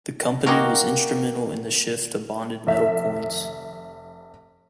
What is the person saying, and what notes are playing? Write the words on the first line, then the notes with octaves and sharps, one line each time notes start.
The company was instrumental in the shift to bonded metal coins.
G#3 A#3 D#4 F#4 G4
F1 E5